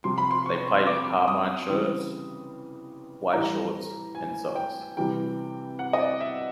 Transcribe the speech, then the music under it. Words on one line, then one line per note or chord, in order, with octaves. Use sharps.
They play in carmine shirts, white shorts and socks.
C3 F3 C6
B5
C6
C#6
D6
D#6
C#3 E3 G3
A2 E3 G3 A#5
G#5
G5
C3 E3 G3 G5
F#5
D#5
D5
E5